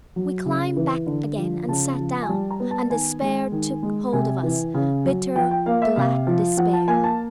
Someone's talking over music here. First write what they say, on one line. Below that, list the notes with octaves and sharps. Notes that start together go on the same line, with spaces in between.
We climbed back again and sat down, and despair took hold of us, bitter, black despair.
F#3
C#3
E3
D3
F3
C#3 A5
F3
G#5
G3 A5
A#5
B3
A5
D#3 G#5
G#3
D#3
G#3
C3 G#5
E3
C#3
F#3
F3 G5
G5
A#3 F5
E5
C3 F5
F3
F3 F#5
A5
A#3 G#5
A5